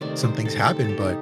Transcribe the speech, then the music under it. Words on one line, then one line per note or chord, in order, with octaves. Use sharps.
some things happen, but,
C3 D#3 A3 D5
C5
A4
A4
G4 A4
D#4